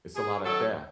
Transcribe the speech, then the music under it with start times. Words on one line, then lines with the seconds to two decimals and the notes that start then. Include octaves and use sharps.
It's a lot of theft.
0.15 G#4
0.44 F#2 D#3 F#3 A4